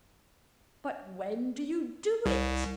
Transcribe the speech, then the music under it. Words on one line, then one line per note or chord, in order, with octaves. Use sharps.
"But when do you do it?"
C2